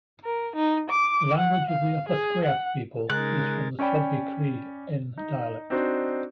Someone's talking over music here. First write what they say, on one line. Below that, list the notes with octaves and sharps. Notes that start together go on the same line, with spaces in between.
The language of the Opaskwayak people is from the Swampy Cree "n"-dialect.
A#4
D#4
D6
F#5
F5
G#4
F#5
C#3 G#3 D#4 A#4 F#6 A6
C#4 C#5 D5 G5 B5
D#4
C4 D4 D#4 F#4 C5